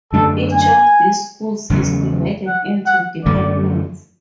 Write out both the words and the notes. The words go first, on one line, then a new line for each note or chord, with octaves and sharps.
Each of these schools is divided into departments.
F#2 D3 A3 D4 A4
G#5
E2 C#3 F#3 A3
F#5
F#5
F#2 D3 A3 D5